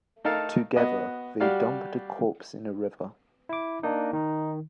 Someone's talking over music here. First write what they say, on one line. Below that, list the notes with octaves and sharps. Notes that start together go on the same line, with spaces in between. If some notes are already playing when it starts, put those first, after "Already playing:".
Together, they dump the corpse in a river.
A3 D#4 A4 A#4 F5 A5
B3 F#4 D#5
G3 F#4 G4 D5 F5
E4 D6
A#3 D4 D#4
D#3 D#4